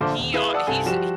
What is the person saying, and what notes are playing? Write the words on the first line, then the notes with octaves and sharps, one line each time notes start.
He, uh he's
A#1 D3 F4 A4 C5 D6
D#1
E4 G#4 B4 F5
D5 F#5 A5 D#6 E6
C2 G2 A4 G#5 A5
F3 G3 F#4 G4 E7